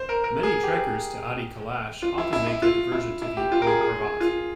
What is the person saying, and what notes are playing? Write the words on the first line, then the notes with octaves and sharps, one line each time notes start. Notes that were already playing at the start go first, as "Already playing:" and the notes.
Many trekkers to Adi Kailash often make a diversion to view Om Parvat.
Already playing: C5
A#4
A#4
G#4
G4
F4
E4
E4
E4
F4
E4
E4
G4
F4
A#4
G#4
G#4
G#4
F4